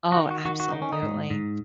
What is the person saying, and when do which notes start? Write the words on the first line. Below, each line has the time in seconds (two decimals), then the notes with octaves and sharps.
Oh, absolutely,
0.12 F#4
0.16 D#3 D#4
0.31 F#4
0.45 D#3 F#4
0.60 F#4
0.70 D#3 D#4
0.82 C#4
0.93 D#4
1.02 G#2
1.30 G#2